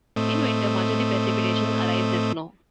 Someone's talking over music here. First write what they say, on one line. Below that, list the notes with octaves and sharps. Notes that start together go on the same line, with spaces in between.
In winter, much of the precipitation arrives as snow.
A2 A3 C4 D#5